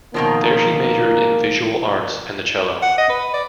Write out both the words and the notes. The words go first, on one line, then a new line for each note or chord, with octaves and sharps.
There she majored in visual arts and the cello.
B2 D#3 F3 A#3
F#5
D#5
B4
D5